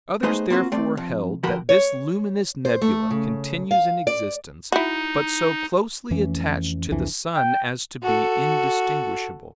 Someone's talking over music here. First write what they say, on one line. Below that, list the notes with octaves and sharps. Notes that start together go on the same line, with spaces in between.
Others, therefore, held that this luminous nebula continues in existence, but so closely attached to the sun as to be indistinguishable.
A3 B3 D#4 G#4 C5 D#5
A#3 C4 D#4 F4 F#4
A3 C4 D5
F2
D3 F3 F#4 G4 A#4 B5
C#5
C5
A3
C#3
F5
D5
D#4 E4 F#4
F2 E3 A3 C#4
C2 F2 E3 D4
G5
F#4 A4